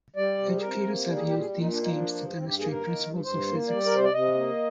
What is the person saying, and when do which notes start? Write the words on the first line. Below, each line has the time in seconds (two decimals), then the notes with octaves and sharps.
Educators have used these games to demonstrate principles of physics.
0.16 G3 D5
0.38 C3
0.56 G#4
0.61 C3 A#4
0.82 A#3
1.04 G3
1.16 G#4
1.27 A#2 G4
1.38 G#4
1.49 A#2
1.59 D#4
1.71 A#3 D4
1.82 D#4
1.93 F3 D4
2.15 G2
2.37 G2 C4
2.47 G4
2.59 A#3 G#4
2.71 A#4
2.81 D#3
3.02 G2
3.24 G2 C5
3.47 A#3
3.68 G3 D5
3.86 A#4
3.92 C3 C5
4.04 D5
4.13 C3 D#5
4.35 A#3